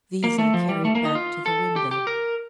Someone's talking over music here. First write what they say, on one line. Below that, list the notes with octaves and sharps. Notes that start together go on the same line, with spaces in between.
These I carried back to the window.
A#3
A3
F3
G3
A3
A#3
D#4
F4
A4
G4
G4
A#4